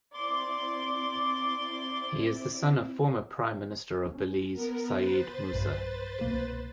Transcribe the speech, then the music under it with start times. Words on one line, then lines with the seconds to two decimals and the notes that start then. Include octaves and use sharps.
He is the son of former Prime Minister of Belize Said Musa.
0.13 C4 E4 D5 C6 D6
4.06 C#4
4.53 B3 A#4
4.97 B4 C5 A6
5.53 B1 G2
6.21 C2 B2 A#3